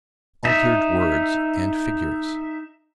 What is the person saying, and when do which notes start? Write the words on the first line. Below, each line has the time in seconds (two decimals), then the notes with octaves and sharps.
Altered Words and Figures.
0.45 D#4 E5